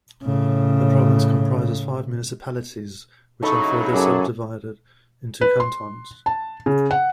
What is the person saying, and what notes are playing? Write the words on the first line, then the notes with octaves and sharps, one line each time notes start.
The province comprises five municipalities which are further subdivided into cantons.
A2 C#3
C#3 F#3 D#4 E4 A4 B5 C#6
F#2 G#4 A4 D6
B4
C6
A5
C#3
F#5